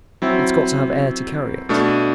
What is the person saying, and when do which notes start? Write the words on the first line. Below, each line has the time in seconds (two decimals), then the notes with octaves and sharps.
It's got to have air to carry it!
0.22 F#3 C4 E4
1.69 B2 A3 D4